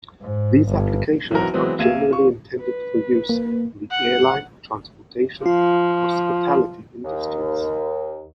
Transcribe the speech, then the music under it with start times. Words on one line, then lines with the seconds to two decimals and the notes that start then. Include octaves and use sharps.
These applications are generally intended for use in the airline, transportation, and hospitality industries.
0.22 G#2
0.68 G1
1.31 B1 E3 F#3 C4 F#4 A#4
1.54 E3 F#3 G#3 B3 C4
1.79 A#1 A#3 E5 G#6 D#7 E7
2.11 F4 C#6
2.61 B4
3.29 A#3
3.91 F#5
5.46 F3 F4
7.04 D#2